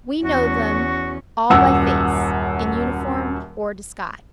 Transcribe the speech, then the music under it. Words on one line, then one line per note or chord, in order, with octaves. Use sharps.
We know them all by face, in uniform or disguise.
E2 C#4 F#4
D#1 F#2 F#5 E6